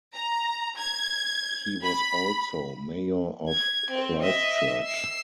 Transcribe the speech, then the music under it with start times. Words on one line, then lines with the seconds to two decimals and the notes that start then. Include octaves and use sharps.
He was also Mayor of Christchurch.
0.15 A#5
0.77 G#6
1.83 B5
3.49 G#6
3.90 C4
4.22 D#5 E5
4.83 E6 C7